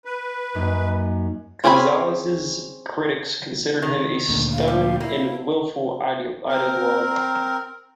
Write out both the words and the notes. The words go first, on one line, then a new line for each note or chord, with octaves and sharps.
Gonzalez's critics considered him a stubborn and willful ideologue.
B4
F#2 A#3 D#4
C4 C#4 G#4 A#4 B5
D#3
D2 A#2 D3
F5
G3
A#3 E4
C4 A#4